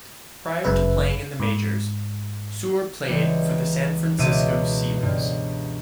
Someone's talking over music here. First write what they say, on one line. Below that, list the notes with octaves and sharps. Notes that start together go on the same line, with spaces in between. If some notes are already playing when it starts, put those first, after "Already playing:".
Prior to playing in the majors, Suhr played for the San Francisco Seals.
G1 F#2 C#3 B4 E5
G#2
C#2 E3 G3 C#7
C#2 B2 E5 D6 D#7
C#2 G2